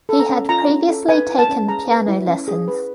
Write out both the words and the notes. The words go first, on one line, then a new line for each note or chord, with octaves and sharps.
He had previously taken piano lessons.
A4
A#5
C#4
F4 A#5
C#4
A4
B4 G#5
E4
A5
C#4
G#4 A#5
B4
E4
C#4
G#4
B4